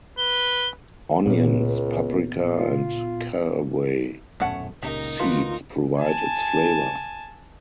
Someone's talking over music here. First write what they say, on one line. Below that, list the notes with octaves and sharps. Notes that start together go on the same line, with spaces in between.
Onions, paprika and caraway seeds provide its flavour.
B4 G7
C#2 A#2 B3
F4
D#1 F#2 B2 A3 C#4 F#5
C#2 A#2 C#3 D#4 G4 A#4
D2 F4 F#4 B4
G#5 A5